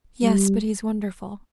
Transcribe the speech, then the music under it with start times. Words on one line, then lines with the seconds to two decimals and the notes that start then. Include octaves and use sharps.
"Yes, but he's wonderful."
0.22 G3